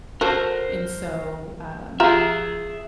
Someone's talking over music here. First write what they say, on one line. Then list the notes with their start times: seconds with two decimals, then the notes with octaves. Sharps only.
and so, um,
0.21 F#4 A4 A#4 C5
2.00 F4 G4 G#4 E5 A#5